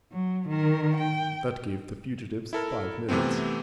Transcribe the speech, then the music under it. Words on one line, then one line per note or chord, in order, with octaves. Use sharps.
That gave the fugitives five minutes.
F#3
D#3 A#4
G5
E4 A4 A#4
C3 E3 A3 B3 C4